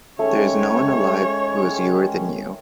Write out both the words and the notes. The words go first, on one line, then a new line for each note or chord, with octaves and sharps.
There is no one alive who is youer than you.
D#3 G#3 A3 C#4 C#5